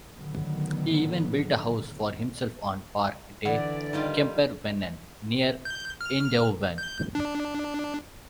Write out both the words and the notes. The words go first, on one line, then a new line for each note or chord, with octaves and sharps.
He even built a house for himself on park "De Kempervennen" near Eindhoven.
A2 D3 D#3 F#3 B3
D3 E3 D5 F#5
D#3 G3 D#4 F4
G6
F6
G6
D4